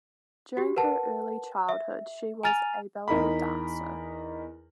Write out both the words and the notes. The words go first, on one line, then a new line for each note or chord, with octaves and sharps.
During her early childhood she was a ballet dancer.
F#4 G4
A#4 B4 F#5 A5
E5
G#5 A#5 F6 A6 D#7 F7
E2 D#4 A#4 B5